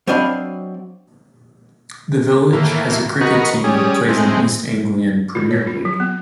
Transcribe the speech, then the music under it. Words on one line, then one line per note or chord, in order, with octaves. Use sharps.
The village has a cricket team that plays in the East Anglian Premier League.
F#3 C4 D4 D#5 F5 B5
A2 E3 A#3
F#4 A#4 B4 D#5 C#6
G3 C#4 G#4 D#6
A2 G#3 C4
F4
C#5
F4
F#3
B3